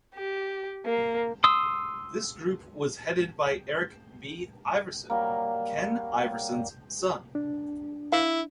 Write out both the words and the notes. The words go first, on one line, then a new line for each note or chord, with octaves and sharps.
This group was headed by Eric B. Iverson, Ken Iverson's son.
G4
A#3
C6 D#6 E6
F#3 G3 A#3
D4
E4 F5